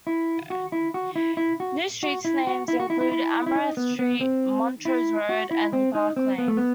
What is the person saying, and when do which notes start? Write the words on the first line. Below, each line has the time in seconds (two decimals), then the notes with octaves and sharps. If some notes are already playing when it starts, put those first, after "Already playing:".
New street names include Amaranth Street, Montrose Road and Park Lane.
0.07 E4
0.50 F#4
0.72 E4
0.94 F#4
1.16 E4
1.37 E4
1.60 F#4
2.03 F#4
2.25 E4
2.47 F#4
2.68 E4
2.80 F#4
2.90 E4
3.01 E4
3.12 E4
3.46 E4
3.55 D#4
3.77 B3
3.99 B3
4.21 C4
4.85 E4
5.29 F#4
5.51 E4
5.73 C4
5.95 D#4
6.16 C4
6.38 B3
6.48 A3
6.57 B3